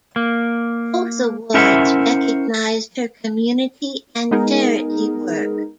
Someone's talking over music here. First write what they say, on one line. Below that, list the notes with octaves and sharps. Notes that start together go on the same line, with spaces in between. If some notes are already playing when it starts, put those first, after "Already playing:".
Both awards recognised her community and charity work.
A#3
C#4 E4 A#4 C5 E5 F#5
G#3 B3 D#4 G#4 A#4